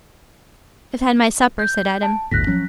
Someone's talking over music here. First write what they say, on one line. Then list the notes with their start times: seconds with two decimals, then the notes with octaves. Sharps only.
"I've had my supper," said Adam.
1.59 G6
2.03 A5
2.31 G1 D2 A2 F#6 A#6 B6
2.47 F3 F#3 C#4